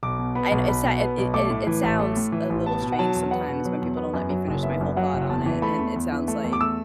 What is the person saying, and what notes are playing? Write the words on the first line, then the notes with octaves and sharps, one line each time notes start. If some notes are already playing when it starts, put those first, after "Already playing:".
And, it's not it it it sounds a little strange sometimes when people don't let me finish my whole thought on it, and it sounds like
B1 D6
B2
B3 B5
B1
B1 B5
B2
B3
B1
A3 D6
A2
E3
A1
A3
A2
E3
A1
B3 A5
B2
F#5
F#3 A5
E2
B3 F#5
B2
F#3
E2
B3
F#2
F#3
F#1
B3 E5
F#2
F#3 F#5
F#1
E2 A5
E3
A3 B5
E2
E2
E3
A3
E2
D6
A3 E6